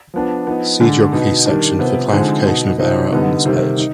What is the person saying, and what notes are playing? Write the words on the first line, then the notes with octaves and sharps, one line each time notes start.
See Geography section for clarification of error on this page.
F3 B3 D4
F3 B3 D#4
D3 G#3 D4
B2 B3 D#4
D#3 G3 D4
C3 F3 B3
D3 F3 G#3 C4 D#4
B2 B3 D#4
C3 F3 C4 D#4
D3 G3 B3 D#4
C3 D#3 G3
D#4